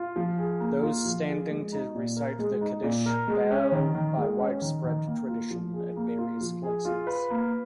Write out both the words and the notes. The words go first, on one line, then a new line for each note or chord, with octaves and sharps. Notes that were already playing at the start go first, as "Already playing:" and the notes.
Those standing to recite the Kaddish bow, by widespread tradition, at various places.
Already playing: F4
F3
G#4
A#3
F4
F3
G#4
G#3
D#4
A#2
A#4
G#3
D#4
A#2
A#4
G#3
C#4
D#3
D#3
G#3
C#4
D#3
D#3
A#3
F4
F3
G#4
A#3
F4
F3
G#4
F4
B4
A#3